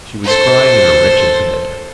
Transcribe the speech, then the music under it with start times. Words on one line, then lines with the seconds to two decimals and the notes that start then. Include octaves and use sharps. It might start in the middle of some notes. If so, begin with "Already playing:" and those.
She was crying in her wretched bed.
0.24 A4 C5